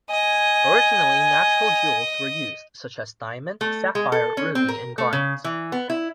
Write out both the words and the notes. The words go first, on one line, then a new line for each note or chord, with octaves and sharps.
Originally natural jewels were used, such as diamond, sapphire, ruby, and garnet.
D#5 G#5
A3
G#3
A4
C#4
C4
A#4
A3
C#3
E3
B3
E4